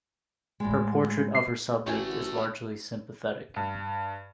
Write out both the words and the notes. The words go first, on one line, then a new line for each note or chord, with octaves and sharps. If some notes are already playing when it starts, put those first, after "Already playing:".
Her portrait of her subject is largely sympathetic.
A2 G3 G#3
C7
A1 A3 D4 F#4 C#5 G5 G#5
G2